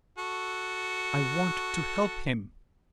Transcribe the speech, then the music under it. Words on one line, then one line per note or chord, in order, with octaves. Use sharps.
I want to help him.
F#4 A4